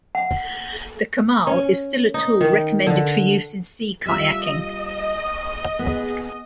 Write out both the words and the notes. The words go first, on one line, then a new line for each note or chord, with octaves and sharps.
The kamal is still a tool recommended for use in sea kayaking.
F#5
C#4
D#4
D#3
D3
G3 F4 E5
D#5
B3 G#4